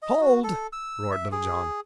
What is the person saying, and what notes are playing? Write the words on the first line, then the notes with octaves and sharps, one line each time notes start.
"Hold!" roared Little John.
D#5
F#4
A4
E6
E5
G#4